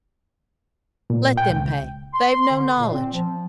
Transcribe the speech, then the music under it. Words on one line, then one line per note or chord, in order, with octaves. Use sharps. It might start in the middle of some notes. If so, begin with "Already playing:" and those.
Let them pay--they've no knowledge.'
A#2
G5
C#2
C6
D3
A#2
C4
F3